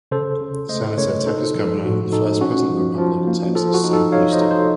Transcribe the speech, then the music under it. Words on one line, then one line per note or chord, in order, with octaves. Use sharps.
Senator, Texas Governor, and first President of the Republic of Texas, Sam Houston.
C#3 A4 C5
C#3
A3 C5 D#5
C#3 A#4 C#5
D#4 A4 C5
F3 A4
A2 F#4
D#4 A4
C#4 F#4
F3
F3
A#3
F3 A4
F#4
D#4
A4
D#4 C#5 F5
C5 D#5
D#4
A4 C5